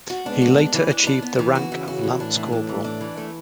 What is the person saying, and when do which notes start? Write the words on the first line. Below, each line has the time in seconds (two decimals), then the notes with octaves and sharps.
He later achieved the rank of lance corporal.
0.10 F#4
0.25 G#3 B3 D4
0.42 F#4
0.58 D4
0.74 E3
0.91 D4
1.07 D4
1.22 B3
1.39 E3
1.55 F#4
1.72 C#3 E3
1.88 F#4
2.03 E3
2.20 A2 D4
2.36 E3
2.52 D4
2.69 E3
2.84 D4
3.01 E3
3.17 A3